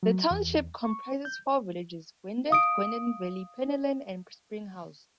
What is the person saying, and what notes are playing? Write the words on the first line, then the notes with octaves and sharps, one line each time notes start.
The township comprises four villages: Gwynedd, Gwynedd Valley, Penllyn, and Spring House.
F#3
E2
C#6
G6
F5 D#6 D7